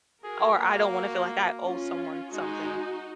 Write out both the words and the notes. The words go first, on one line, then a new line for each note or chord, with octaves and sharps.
or I don't wanna feel, like, I owe someone something.
F#4 G#4 A#4
A#3
F#4 A#4
C#4 F4
G#3 D#4 F#4